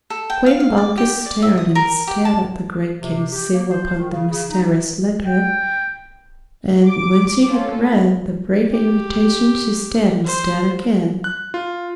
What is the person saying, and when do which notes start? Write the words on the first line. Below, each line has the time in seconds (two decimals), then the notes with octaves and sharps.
Queen Balkis stared and stared at the great King's seal upon the mysterious letter, and when she had read the brief invitation she stared and stared again.
0.10 A4
0.30 G5
0.46 F5
0.60 F5
0.78 D5
0.98 G4
1.26 D5
1.42 E5
1.57 D#6
1.75 A#4
2.07 G4
2.25 A5
3.00 C3
3.32 G4
3.53 A#3
3.71 C5
3.98 D#3
4.11 C#3
4.31 C#3
4.49 D#4
5.26 G5
6.86 D6
7.46 A3 C4 C#4 F4 A4
8.71 G4
10.24 C5
11.24 F#6
11.54 F4